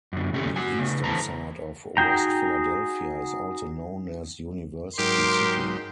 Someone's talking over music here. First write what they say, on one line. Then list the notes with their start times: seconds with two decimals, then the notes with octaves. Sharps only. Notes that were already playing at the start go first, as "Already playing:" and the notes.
The eastern side of West Philadelphia is also known as University City.
0.13 F#2 D3
0.33 C#3 A3 C#4 F#4 G4 A4
0.56 F#4 G#5
0.79 C#3 A3
1.04 A2 D3 E3 C5 A5 A#5
1.97 D#4 F#4 G#4 G5 A#5
4.98 G#2 F#3 D#4 G4 A#4 C6